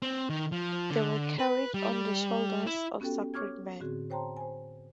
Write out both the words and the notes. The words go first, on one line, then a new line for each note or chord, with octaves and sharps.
They were carried on the shoulders of sacred men.
C4
D#3
F3
D3
B4
G3
E4
B3 C#4 F#4 G4 A4 G5
C#5 C#6 D6 F6 G#6
A2 D3 C4 F#4 G#4
C5 C#5 G5 A5 A#5 C6
C5 G#5